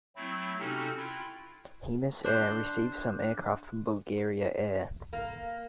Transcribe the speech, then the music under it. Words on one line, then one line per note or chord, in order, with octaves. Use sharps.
Hemus Air received some aircraft from Bulgaria Air.
F#3 A3 C4 E4
C3 C4 C#4 D#4 F#4 A4
E4 F4 G5 F#6
D4 C5
A#3